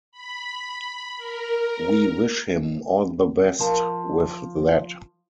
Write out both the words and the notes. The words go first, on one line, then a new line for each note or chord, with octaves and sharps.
We wish him all the best with that.
B5
A#4
F3 A#4 A5